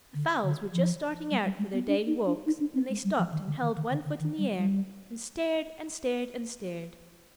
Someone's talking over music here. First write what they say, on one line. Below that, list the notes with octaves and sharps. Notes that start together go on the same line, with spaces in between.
The fowls were just starting out for their daily walks, and they stopped and held one foot in the air, and stared and stared and stared.
D3
D3
F3
G3
G3
G#3
B3
D4
D#4
D4
D#4
D4
C4
G#3
G3
F3
D#3
D3
D#3
D#3
D3
D3
D#3
G3
G3